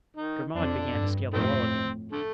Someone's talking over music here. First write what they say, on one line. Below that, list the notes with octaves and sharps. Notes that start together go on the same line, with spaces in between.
Grimaud began to scale the wall again.
D#3 D#4
F2 D3 D4
G2
F2 A2 D#3 A3 C4
D3 A3